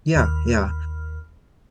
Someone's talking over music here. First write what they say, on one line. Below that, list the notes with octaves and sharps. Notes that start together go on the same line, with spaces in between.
Yeah, yeah,
D#2 B5 F6